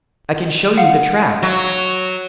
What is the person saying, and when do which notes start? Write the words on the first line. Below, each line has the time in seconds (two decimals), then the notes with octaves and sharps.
"I can show you the tracks."
0.77 F5 F#5
1.42 F#3